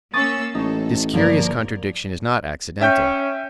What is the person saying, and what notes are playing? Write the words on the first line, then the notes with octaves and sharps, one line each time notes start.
This curious contradiction is not accidental.
A#3 C#4 C#6 D#6 E6 A6
A1 D#4 A4 C#5
G1 G2 F3 A#3 A#4 D5
C#4 E5 G5 G6